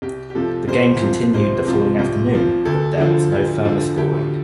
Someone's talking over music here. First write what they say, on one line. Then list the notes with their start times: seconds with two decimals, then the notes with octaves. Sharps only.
The game continued the following afternoon, but there was no further scoring.
0.02 C2 G4
0.30 G4
0.35 C3 F3 A4
0.68 C2 C5
1.01 C3 F3
1.34 C2 C5
1.67 C3 F3
1.99 C2
2.33 C3 F3
2.65 D2 A4
2.98 D3 F3
3.32 D2
3.64 D3 F3
3.97 D2 G4